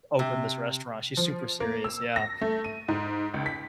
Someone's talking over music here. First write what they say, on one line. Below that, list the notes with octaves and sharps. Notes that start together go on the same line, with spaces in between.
open this restaurant, she's super serious, yeah,
C3
F3
A#3
E6
A#6
A3
D#7
G#2
C#2
B6